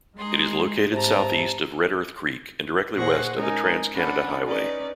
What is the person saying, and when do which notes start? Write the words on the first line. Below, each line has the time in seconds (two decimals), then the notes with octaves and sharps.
It is located southeast of Redearth Creek and directly west of the Trans-Canada Highway.
0.17 G#3 D#4 G#4 C6
0.92 G#2 C3 A5 A#5
2.96 A#2 G#4 C5 F#5 C#6 A#6
3.35 G#3 C#4 D#4 A#4 G#5
3.94 C#4 D4 F#5 B5
4.44 C#4 D#4 B4 D5